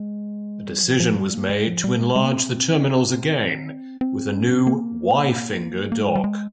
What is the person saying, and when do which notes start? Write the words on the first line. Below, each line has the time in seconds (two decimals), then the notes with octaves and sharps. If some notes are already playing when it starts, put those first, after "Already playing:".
A decision was made to enlarge the terminals again with a new "Y-finger" dock.
Already playing: G#3
0.66 G3
0.83 F3
1.00 F3
1.17 G3
1.34 A#3
1.50 G#3
1.67 F3
1.84 G3
1.96 A#3
2.01 G#3
2.16 G#3
2.24 A#3
2.34 C4
4.01 C4
4.34 C#4
4.67 A#3
5.92 A#3
6.01 G#3
6.16 G3
6.24 G#3